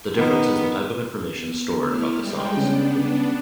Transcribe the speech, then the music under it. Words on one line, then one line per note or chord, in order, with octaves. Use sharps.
The difference is the type of information stored about the cells.
D#3 B3
B3
A3 E4 F6
G3 G#3 G5
C#3 B3 D4
C#3